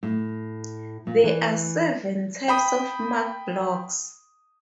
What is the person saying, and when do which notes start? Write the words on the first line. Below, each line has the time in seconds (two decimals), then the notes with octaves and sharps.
There are seven types of Mark blocks.
0.03 A2
1.07 A#2
1.24 E3
2.48 G5 B5 D#6